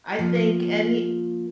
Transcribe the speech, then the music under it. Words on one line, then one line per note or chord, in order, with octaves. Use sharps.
I think any
F3 A#3